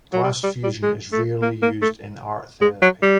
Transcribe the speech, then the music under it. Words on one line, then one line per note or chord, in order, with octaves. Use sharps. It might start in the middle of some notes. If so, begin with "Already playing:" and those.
Glass fusion is rarely used in art therapy.
F#3
G3
G3
G3
G#3
A3
A#3
A#3
A3
G#3
F#3
G3